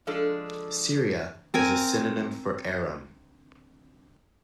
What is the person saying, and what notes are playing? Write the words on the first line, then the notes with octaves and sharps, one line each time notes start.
Syria is a synonym for Aram.
F3 G#3 D4 A4
C4 A#4 G#5